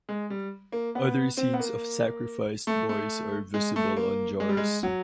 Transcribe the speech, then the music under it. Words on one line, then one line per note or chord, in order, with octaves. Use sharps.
Other scenes of sacrificed boys are visible on jars.
G#3
G3
A#3
B3
C4
B3
A#3
A3
A3
G#3
A3
A#3
G#3
G3
G#3
F#3